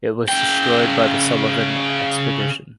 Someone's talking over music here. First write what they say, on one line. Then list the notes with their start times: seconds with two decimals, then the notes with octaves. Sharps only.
It was destroyed by the Sullivan Expedition.
0.28 C#3 G5